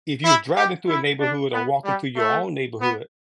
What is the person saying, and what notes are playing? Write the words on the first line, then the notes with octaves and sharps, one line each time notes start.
if you were driving through a neighborhood, or walking through your own neighborhood,
E4
G4
E4
D4
B3
G3
A3
B3